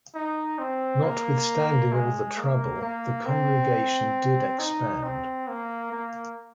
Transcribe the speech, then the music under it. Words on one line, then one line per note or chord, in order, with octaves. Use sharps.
Notwithstanding all the trouble, the congregation did expand.
D#4
C4
A#3
G#3
A#3
A#3
C4
D#4
C4
A#3
A#3